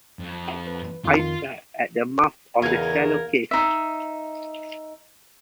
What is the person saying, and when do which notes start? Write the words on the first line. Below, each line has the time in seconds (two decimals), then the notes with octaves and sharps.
I sat at the mouth of the shallow cave.
0.20 F2
0.67 B4
1.05 F2 D#3 F4
2.62 E2 C#3 D#4 A#4 F5 G#6
3.51 D#4 E5